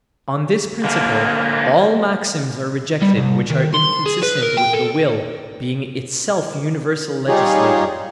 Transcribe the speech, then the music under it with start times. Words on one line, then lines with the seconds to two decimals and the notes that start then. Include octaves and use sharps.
On this principle all maxims are rejected which are inconsistent with the will being itself universal legislator.
0.84 D3 A#3
3.02 G3
3.17 C2
3.50 D#3
3.74 C6
4.06 G#4
4.23 B4
4.42 A#4
4.57 G5
4.73 A4
7.28 G3 D#4 F4 G4 G#4 C#5